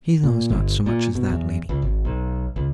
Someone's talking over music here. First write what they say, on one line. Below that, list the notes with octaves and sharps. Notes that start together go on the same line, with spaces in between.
'He knows not so much as that, lady.'
A#2
G1
A#2
B2
E2
C#2
G#1
B1
C#2